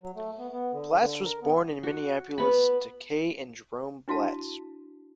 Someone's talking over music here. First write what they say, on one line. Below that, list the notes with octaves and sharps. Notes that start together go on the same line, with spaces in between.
Blatz was born in Minneapolis to Kay and Jerome Blatz.
F#3
A3
B3
B3
D3
D3
A#4
B3
F#4
B3 B5
D4 E4 F#4 F5 A5